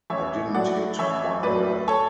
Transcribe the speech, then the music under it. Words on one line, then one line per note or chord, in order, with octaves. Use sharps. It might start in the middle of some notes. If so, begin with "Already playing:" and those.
I didn't hit one well.
A1 C#5 E5
A2 F#3 A3 D5 F#5
A1 C#5 E5
A2 F#3 A3 B4 D5
A4 C#5